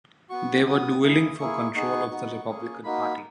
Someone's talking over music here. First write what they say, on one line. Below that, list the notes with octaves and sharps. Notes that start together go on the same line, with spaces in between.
They were dueling for control of the Republican Party.
B3 F#4 C#6
B3 F#4 D#6
A#3 E4 G#4 D#6
A#3 E4 G#4 C#6
B3 D#4 G#4 C#6
B3 D#4 F#4
A#3 C#4 G#4
A#3 D#4 F#4 B5